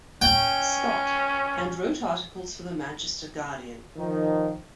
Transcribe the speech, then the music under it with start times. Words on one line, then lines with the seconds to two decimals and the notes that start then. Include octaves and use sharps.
Scott, and wrote articles for the Manchester Guardian.
0.22 C#4 G5
3.96 D#3 F3